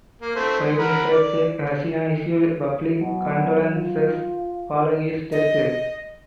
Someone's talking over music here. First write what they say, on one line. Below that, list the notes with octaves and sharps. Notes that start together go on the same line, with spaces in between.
Prime Minister Sheikh Hasina issued public condolences following his death.
A#3
A3 C4 C5
G#3
A#4 F#5 B5
D5
B2 F#3
F4
D#5